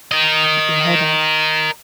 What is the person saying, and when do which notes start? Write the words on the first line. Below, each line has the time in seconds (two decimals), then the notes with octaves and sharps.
Keep your head up.
0.12 A#4 D#5